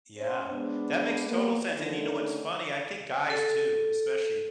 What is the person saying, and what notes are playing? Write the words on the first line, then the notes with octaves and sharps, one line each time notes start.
Yeah. That makes total sense, and, you know, what's funny? I think guys too, especially
C#4 C5
G#3 B3 D4
A#3 B3
D3 D#3 A3 C#4
A4